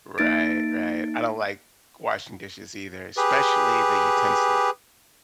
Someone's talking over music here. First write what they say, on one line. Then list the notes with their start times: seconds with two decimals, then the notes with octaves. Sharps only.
Right, right. I don't like washing dishes either, especially the utensil.
0.18 A#3 D#4 A6 D7
3.17 G4 G#4 B4